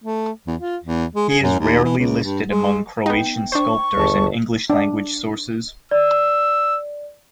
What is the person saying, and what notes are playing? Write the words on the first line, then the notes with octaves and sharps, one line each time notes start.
He is rarely listed among Croatian sculptors in English-language sources.
A3
E2
F4
E2
G#3
G#4
F#2
D#2
E3
C#2
G2
G#3
B3 D#4 G5
D4 C5 C#6
G1 D#2 G#4 A5
D4
D5 E6